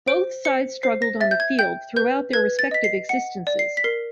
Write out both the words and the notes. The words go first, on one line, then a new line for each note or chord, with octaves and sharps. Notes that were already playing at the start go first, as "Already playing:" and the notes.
Both sides struggled on the field throughout their respective existences.
C5 D7
C5 C#7
C5 C7
A#6
E5 A6
G6
G#6
G5 G6
B4 G6
B4 G#6
A6
D#5 B6
C7
F#5 C#7
D5
C7
B6
A#4 C7